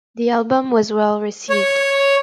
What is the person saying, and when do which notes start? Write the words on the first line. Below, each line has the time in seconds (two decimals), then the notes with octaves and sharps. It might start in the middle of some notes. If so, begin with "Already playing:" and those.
The album was well received.
1.50 C#5